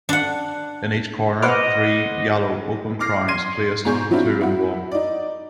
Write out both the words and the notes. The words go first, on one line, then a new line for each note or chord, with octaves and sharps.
In each corner three yellow open crowns placed two and one.
D4 F#5
B4 C5 D#5 F#5 D6 F6
D6 F6 A#6 C7
C6 G#6 C7 D#7
G#2 B2 G#4 C#6 G6
F3 F#3 C4 D4 E4 F4
E4 F#4
D#4 D5